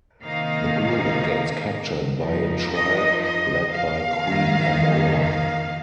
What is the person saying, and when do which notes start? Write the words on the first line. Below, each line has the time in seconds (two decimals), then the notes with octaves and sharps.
The group gets captured by a tribe led by Queen Amoa.
0.23 C3 D#3 A#3 D#4 F5
2.22 F2 F3 D#4
2.72 D#5
3.22 D#5
3.71 F5
4.22 F2 D#3 A#3 D#4
5.20 F5